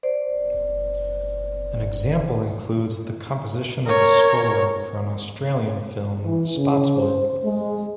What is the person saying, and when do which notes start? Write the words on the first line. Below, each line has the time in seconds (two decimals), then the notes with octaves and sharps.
An example includes the composition of the score for an Australian film "Spotswood".
0.03 C5 D5
3.86 A#4 C#5
6.24 E3
6.56 C#3
6.96 C5
7.44 G#3